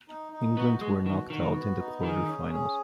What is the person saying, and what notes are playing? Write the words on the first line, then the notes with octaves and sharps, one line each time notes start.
England were knocked out in the quarter-finals.
D#4
D#4
B3 F#4
B2 G#3
D#3 F#4
D#3 F#4
B3
D#4
D#3 G#4
C#4
G#4